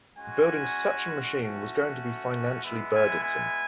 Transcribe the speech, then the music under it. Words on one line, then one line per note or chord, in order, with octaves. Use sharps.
Building such a machine was going to be financially burdensome.
G#3 C#4 F#4 G#5
A3 C#4 F#4
G#3 B3 E4
G#5
G#5